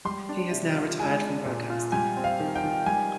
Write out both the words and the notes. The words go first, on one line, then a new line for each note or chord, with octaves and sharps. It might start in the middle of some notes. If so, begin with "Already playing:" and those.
He has now retired from broadcasting.
G3 C6
D4
C3
F4
G#3 G#5
D4
A#2
F4
G3 G#5
C4
F5
D#3
G5
D#3
G3 G#5